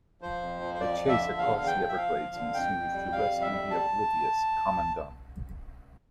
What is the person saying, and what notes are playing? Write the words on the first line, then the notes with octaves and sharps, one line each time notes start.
A chase across the Everglades ensues to rescue the oblivious Commandant.
F3 C5
F2
F3
C5
F2 D5
F3
E5
D3
E2 F5
E2 F5
G5
F3
E5
F3 F5
F3
D3
F2 G5
F2
G3
G3 F5
F2
E5
G3
A5